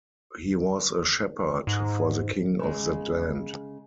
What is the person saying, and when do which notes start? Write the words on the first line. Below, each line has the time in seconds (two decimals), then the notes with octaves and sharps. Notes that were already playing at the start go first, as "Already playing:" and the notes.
He was a shepherd for the king of that land.
1.67 G#2
2.59 C#3 G#3